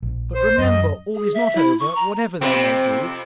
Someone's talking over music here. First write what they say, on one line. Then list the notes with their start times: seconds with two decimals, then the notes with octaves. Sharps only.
But remember, all is not over, whatever they may do.
0.03 A#1
0.35 C5
0.58 F#2 D#5
1.15 G#4
1.34 E5
1.55 E4
1.80 C#6
1.96 A#5
2.41 F2 C3 C4 F4